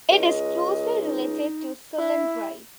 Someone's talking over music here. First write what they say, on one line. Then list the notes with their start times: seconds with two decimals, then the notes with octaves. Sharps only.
It is closely related to cylindrite.
0.11 C#2 D#5
1.03 D#4
1.99 E4 E5